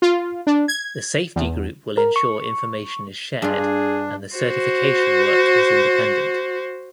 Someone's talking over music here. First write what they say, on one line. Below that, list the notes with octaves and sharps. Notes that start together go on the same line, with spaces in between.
The safety group will ensure information is shared and the certification work is independent.
F4
D4
G#6
E2
A#4
C#6
G2 D4 F4 G#4
F#4 C5